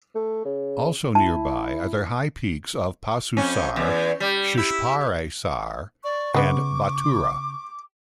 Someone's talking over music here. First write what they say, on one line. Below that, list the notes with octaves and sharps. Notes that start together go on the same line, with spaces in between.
Also nearby are the high peaks of Pasu Sar, Shispare Sar, and Batura.
A3
C#3
E4 A5
F2 C#4
E2
G3
E4
D5 C#6
C#3 G#3 B3 D6